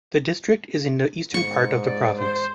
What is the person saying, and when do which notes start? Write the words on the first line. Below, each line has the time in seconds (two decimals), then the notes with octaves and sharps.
The district is in the eastern part of the province.
1.34 G#2 C#6
1.85 D5
2.19 C5